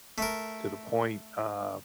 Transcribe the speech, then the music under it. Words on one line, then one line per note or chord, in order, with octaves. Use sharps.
to the point, uh
A3 A#4